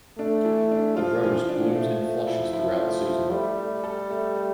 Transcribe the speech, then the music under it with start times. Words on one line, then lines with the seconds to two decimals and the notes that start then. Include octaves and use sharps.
The rose blooms in flushes throughout the season.
0.18 A3 D4
0.45 E3
0.71 D4
0.97 F3 F4
1.23 E3
1.49 D4
1.75 A3
2.01 A3
2.27 E4
2.53 F3 E4
2.80 A3
3.05 E4
3.32 G3 A3
3.58 A3
3.84 A4
4.10 A3
4.36 A3